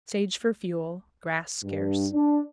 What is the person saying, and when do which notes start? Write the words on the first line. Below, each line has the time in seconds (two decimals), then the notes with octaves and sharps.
Sage for fuel; grass scarce.
1.64 G2
2.13 D4